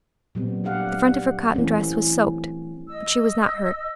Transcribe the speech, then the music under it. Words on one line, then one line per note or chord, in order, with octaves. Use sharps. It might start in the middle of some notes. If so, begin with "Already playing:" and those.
The front of her cotton dress was soaked, but she was not hurt.
A#2 F#3 G3 B3 C4
G3 D4 G4 F5 F#5
E3 A3 C4 C#4
D#5 E6